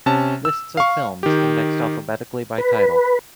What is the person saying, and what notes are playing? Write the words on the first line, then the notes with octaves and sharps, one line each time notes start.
Lists of films indexed alphabetically by title.
C3 C#4 A5
E6
F5 C#6
D#3 G4
B4